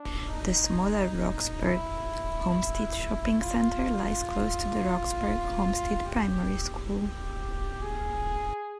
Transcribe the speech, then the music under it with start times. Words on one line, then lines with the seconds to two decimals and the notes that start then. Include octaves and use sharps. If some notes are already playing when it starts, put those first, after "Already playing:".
The smaller Roxburgh Homestead Shopping Centre lies close to the Roxburgh Homestead Primary School.
Already playing: D4
0.29 D#4
1.62 E4
3.40 F4
6.05 G4
6.94 G4
7.82 G#4